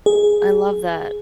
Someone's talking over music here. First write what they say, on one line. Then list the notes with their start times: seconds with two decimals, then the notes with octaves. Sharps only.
I love that.
0.06 G#4